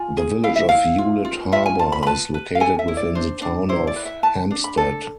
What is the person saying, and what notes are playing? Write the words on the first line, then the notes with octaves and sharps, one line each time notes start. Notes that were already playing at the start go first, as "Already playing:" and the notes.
The Village of Hewlett Harbor is located within the Town of Hempstead.
Already playing: F4 G#5
G#4
E4 F5
E5
E4 F5
F4
F4
F4 E5
G#5
F4 A5
B5
B5
B4 A5
B4
F5
A4 G#5
E5
E4
D5
D4 C5
D4
E4 C5
D5
B4
E5
B4 A5
D4
B5
A4